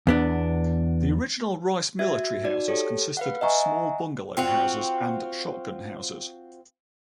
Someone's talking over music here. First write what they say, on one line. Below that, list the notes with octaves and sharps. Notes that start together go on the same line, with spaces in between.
The original Rice Military houses consisted of small bungalow houses and shotgun houses.
E2 B3 D4
F#4 E5 G#6
D#4 F#4 D5
G4 A4 C#5
B4 F5 F#5
D#5 E5 F#5 G#5 A#5 C#6
C4 F4 F#4